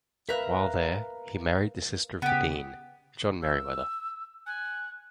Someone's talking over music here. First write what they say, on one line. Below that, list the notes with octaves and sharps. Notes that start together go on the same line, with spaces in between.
While there he married the sister of the Dean, John Merryweather.
A#4 B4 E5 F5 A#5 F#6
C#3 B3 G4
E6
G#5 F#6